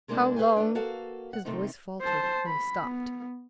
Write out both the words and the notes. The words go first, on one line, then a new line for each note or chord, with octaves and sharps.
"How long--" His voice faltered, and he stopped.
C3 G#3 A#3 D4 E4
G#4 B4 F5 G5 G#5
A3 B3 D4
A#3 F#4 A4 F5
F#5
C3 D#3 A3 C4 D#4
C5 A5
B5
B3